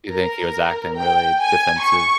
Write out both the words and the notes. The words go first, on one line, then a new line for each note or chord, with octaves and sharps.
Do you think he was acting really defensive?
A#4
G5
G#5
C#6